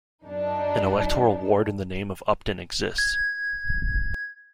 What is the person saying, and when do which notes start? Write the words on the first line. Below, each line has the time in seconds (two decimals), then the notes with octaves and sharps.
An electoral ward in the name of Upton exists.
0.24 F#2 D4 D#4
2.98 G#6